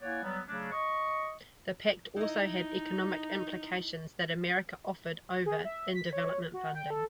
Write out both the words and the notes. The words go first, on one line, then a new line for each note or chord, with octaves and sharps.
The pact also had economic implications that America offered over in development funding.
A#3 E4 C#5 D5 F#5 G#5
F#3 G3 B3
C#3 F#3 A3 C#4 D4
D#5 C#6
D#4 E4 D#5
G#4
E5
B6
C#5
F#4
G5
A4